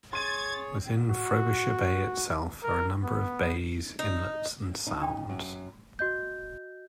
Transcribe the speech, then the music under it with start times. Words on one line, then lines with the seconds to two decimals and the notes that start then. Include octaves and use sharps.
Within Frobisher Bay itself are a number of bays, inlets and sounds.
0.13 G#4 C#5 C6 G#6 A6 D#7
1.10 F#4
2.63 A#4
3.03 B3
3.99 D#4
4.87 C#3 D#4
5.01 D4 G5
5.30 F#2
5.99 F#4 D#5 G6